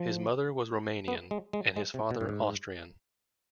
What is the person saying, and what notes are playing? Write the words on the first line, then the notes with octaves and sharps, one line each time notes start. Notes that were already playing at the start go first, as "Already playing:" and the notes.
His mother was Romanian and his father Austrian.
Already playing: F3
B3
G#3
G#3
G#3
C3
B2
G2
G#2